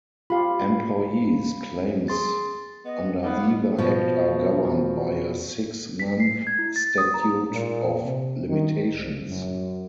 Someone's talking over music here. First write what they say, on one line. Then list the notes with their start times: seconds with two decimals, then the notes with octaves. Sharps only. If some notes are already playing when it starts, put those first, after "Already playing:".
Employees' claims under either Act are governed by a six-month statute of limitations.
0.30 F4 G4 F5 B5
2.08 G#4 C6 A6
2.85 B3 D#5
3.23 G3 B3 D#4 F5
3.78 B2 F3
5.99 B6
6.20 C7
6.47 G#6
6.59 E4
6.76 A6
6.98 D#6
7.14 A#5
7.52 A#2
8.03 C3
8.48 D#3
8.94 C2
9.29 F#2